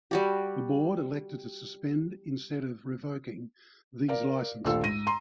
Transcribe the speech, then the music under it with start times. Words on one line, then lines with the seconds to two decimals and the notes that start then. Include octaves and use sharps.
The board elected to suspend instead of revoking these licenses.
0.11 G3 F#4 G4
4.08 A#4 D5 F5
4.65 A#1 D#2 A3 F4 A4 E6
4.83 G#2 A#6 D#7
5.07 A#5 C6